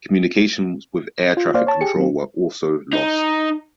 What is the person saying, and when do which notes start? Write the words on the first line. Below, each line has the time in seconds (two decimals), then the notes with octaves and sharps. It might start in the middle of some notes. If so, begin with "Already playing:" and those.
Communications with air traffic control were also lost.
1.37 F4
1.54 A#3 C5 D5 F5
1.67 C#5 A5
1.81 G4 G#4 C#7
1.96 F#3 C4
2.93 D#4